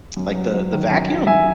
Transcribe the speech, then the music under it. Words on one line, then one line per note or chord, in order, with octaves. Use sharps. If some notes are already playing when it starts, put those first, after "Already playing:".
Like the the vacuum?
F#2
F#3
F#2
D#3
F#2
F#3
F#2 E5 G#5